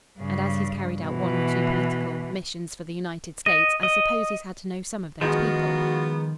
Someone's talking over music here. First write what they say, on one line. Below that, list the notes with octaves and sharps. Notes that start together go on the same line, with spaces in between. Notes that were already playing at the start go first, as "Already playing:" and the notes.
And as he's carried out one or two political missions for the United States, I suppose he's had to know some of these people.
G2 C#3
B2 E3
D#5
D#5
D#3 F3 G#3 B3 F4 F#4 A#5